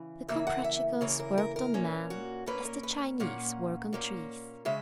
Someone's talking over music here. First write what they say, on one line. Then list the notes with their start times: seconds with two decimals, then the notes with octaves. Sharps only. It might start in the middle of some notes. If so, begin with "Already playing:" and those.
The Comprachicos worked on man as the Chinese work on trees.
Already playing: C#3 E3
0.28 C#3 E3 A#3 E5
0.47 F#5
0.64 E5
1.01 C#3 E3 A#3 C#5
1.20 A#4
1.38 A#4
1.56 A#4
1.74 A#2 A#3 C#4
2.10 F#4
2.46 A#2 A#3 C#4 B4
2.65 A#4
2.83 B4
3.20 A#2 A#3 C#4 F#5
3.93 A#2 A#3 C#4
4.65 C#3 G#3 C#4 E5